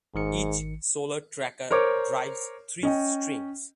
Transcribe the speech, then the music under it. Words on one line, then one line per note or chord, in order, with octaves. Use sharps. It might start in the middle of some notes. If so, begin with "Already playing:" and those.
Each solar tracker drives three strings.
G#1 G#2 D#3 C#7
A#4 C5 C#5 D6
C#4 D#5 G5